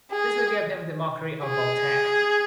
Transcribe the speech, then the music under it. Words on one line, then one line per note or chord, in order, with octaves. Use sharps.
This will give him the mockery of Voltaire.
G#4
G#4